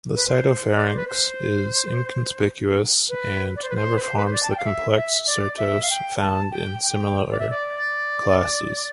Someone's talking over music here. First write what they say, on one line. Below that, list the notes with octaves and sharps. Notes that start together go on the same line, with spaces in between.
The cytopharynx is inconspicuous and never forms the complex cyrtos found in similar classes.
B4
C5
D5
C5
B4
C5
B4
D5
C5
B4
C5
B4
C5
B4
C5
D5
A5
G5
F5
E5
E5
D5
E5
F5
G5
A5
G5
G5
D5
E5
D5